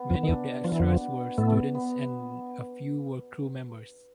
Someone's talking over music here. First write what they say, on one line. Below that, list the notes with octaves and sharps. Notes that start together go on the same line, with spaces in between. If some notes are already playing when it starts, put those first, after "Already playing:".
Many of the extras were students and a few were crew members.
Already playing: B3
F2 F3
D#3
E2 E3 D4
F3 F#4
E3
F2 F3
B3
A2 A3 B3
B3